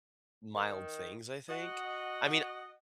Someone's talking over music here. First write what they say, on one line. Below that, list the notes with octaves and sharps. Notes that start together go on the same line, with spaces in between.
mild things, I think. I mean,
D#3
F#4 D#5 F#5